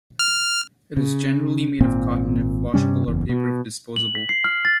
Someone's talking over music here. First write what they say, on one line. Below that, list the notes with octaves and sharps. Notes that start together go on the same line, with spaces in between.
It is generally made of cotton if washable or paper if disposable.
F6
C#3
G#1 A#2 C4
G2 C3 G3 C#4
F#1 E2
B2
F#7
B6
C7
F6
A6